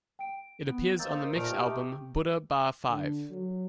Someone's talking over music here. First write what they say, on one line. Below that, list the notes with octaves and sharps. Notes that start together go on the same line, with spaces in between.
It appears on the mix album "Buddha Bar V".
G5 D7
B3
A#3 D#4 C5 E6 G6 A6
A#4
A#2 A3 D#4 F6 D7 F7
G4
D3
F#3